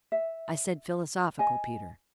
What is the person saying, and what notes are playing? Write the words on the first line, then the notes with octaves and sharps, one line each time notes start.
"I said 'philosophical,' Peter."
E5
D#5 G#5